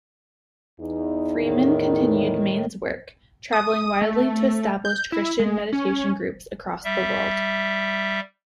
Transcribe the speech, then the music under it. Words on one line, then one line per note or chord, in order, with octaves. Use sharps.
Freeman continued Main's work, travelling widely to establish Christian meditation groups across the world.
E2 D#4
A2 D#3
D#6
A3
G6
E4
G#3
C#4
G3 E5